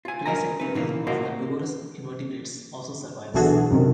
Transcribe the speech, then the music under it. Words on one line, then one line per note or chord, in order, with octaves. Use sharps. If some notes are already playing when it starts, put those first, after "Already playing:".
Trace activity of herbivorous invertebrates also survives.
F4 G#5
A#4 B4 D#5 G#5 A#5
D#4 B4
A#2 C#3 E3 A#3
A2 A#3 F4 F#4 A#4 D#5
B1 E3 D4 F#4 G#4 A4
F#2 C3 D#3